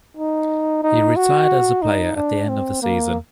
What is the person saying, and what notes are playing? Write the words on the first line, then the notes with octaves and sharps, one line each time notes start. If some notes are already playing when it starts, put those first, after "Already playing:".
He retired as a player at the end of the season.
D#4
D#4
F#4
D#4
D4
C4
A#3